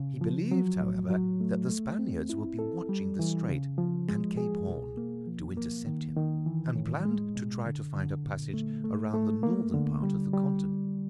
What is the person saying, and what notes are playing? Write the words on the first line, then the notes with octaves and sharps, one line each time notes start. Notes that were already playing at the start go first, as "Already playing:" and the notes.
He believed, however, that the Spaniards would be watching the Strait and Cape Horn to intercept him, and planned to try to find a passage around the northern part of the continent.
Already playing: C#3
F3
F#3
A2
F#3
A3
A3
C4
E4
A4
G3
E3
C#3
F3
G#3
G#4
B2
A#3
F3
A#3
D#3
D#3
E3
A2
G#3
B2
D3
D3
A#2
A3
A3
A3
A#3
D3
G3
G3